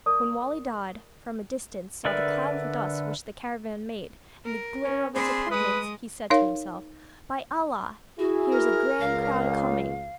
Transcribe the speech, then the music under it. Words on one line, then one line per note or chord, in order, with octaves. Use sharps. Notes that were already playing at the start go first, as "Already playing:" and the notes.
When Wali Dad from a distance saw the cloud of dust which the caravan made, and the glitter of its appointments, he said to himself: 'By Allah! here's a grand crowd coming!
A#4 D5 A5 C#6 D#6
D3 A#4 B4 D5 E5
A#4
C#4
C4 D4 G#4 B5 C6
G#3 B4 D#6
D#4 A#4 C#5 F5
E4 F#4 G#4
A#4
C#2 F5